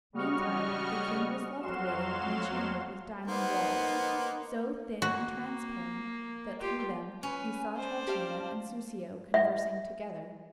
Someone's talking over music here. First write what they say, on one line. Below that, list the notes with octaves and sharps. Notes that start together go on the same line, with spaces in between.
Meantime the king was left waiting in a chamber with diamond walls, so thin and transparent, that through them he saw Troutina and Soussio conversing together.
C#3 G3 F#4 D#5 C#6 F6
F2 F#3 F#4 F5 C6 E7
A#3 B3 D#4 C5
A#3 F#4
F4 G4
C#4 B4 G#5
C5 D5
G4 F5 A5
E5